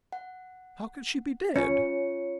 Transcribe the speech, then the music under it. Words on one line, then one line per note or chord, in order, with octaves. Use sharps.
"How can she be dead?"
F#5
C#4 F4 C#5 C#7